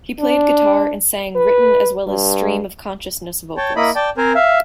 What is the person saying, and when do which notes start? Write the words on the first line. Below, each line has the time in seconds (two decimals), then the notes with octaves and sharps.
He played guitar and sang written as well as stream of consciousness vocals.
0.20 D4
1.36 B4
2.07 G2
3.57 C#5 G5 A5
3.76 A#3 E4 D#5 B5
3.95 D5 G5 A5
4.17 C4 A#4 C5 G#5
4.35 E5 F5